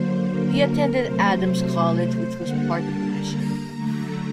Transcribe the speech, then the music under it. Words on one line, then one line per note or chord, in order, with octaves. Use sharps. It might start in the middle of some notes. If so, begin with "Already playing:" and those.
He attended Adams College which was part of the mission.
Already playing: D3 F#3 A#3 C5
A#4
C3 F#3 A3 C5
D3 G3 A#3 F#5
A5
A#5
D3 F#3 A3